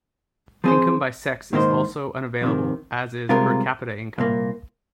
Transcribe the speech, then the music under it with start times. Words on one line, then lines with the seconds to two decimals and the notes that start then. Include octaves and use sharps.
Income by sex is also unavailable, as is per capita income.
0.64 F3 C4 G#4 C5
1.53 G#2 D#3 A#3 D#4 C5
2.41 F2 C3 D#3
3.29 C2 C3 G#3 F4 A#4
4.18 C2 A#2 A#3